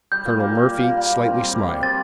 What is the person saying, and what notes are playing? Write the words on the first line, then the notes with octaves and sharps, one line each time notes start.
Colonel Murphy slightly smiled.
G3 G6
A#2
A#3
A#2
G3
A#2
A#3
A#2
C4
G3
G4
G3
C4 A6